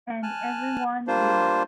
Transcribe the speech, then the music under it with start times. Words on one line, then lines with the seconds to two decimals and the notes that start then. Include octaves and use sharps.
And everyone knew it.
0.23 G#5 A5 F6 F#6
1.07 G3 A#3 D4 F4 C5